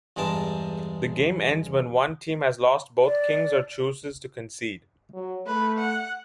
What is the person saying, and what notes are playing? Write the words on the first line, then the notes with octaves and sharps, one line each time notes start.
The game ends when one team has lost both kings or chooses to concede.
E2 G2 G#3 A#4 A5
D5
F#3
A3 B4
F#5